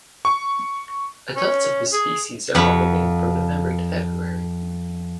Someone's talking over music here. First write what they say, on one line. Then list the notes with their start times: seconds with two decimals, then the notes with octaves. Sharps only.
Adults of this species are on the wing from November to February.
0.25 C#6
1.36 C#4
1.92 G#4
2.55 F2 F#5 B5